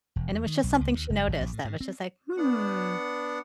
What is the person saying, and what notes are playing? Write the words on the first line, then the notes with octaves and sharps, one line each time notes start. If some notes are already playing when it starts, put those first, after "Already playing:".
and it was just something she noticed that was just like, "Hmm,"
E1
E2
D#3
B1
C#2
D#2
F#1
G#1
A#1
A2
G#2
C4
B3 D4 F#5